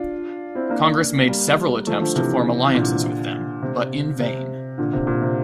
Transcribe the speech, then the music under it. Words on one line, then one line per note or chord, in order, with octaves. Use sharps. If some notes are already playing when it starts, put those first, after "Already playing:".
Congress made several attempts to form alliances with them, but in vain.
Already playing: D4 F4
C4 E4
A#3 D4
G3 A#3
F3 A3
D3 F3
C3 E3
E3
A#2 D3
C3
C3
A#2 D3
C3
A#2
C3